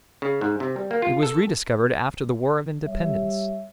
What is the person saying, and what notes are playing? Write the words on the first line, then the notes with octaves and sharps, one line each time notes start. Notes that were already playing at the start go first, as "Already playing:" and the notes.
It was rediscovered after the War of Independence.
C#3
G#2
C3
G3
A#3
F4
A4
G3 C#5 E5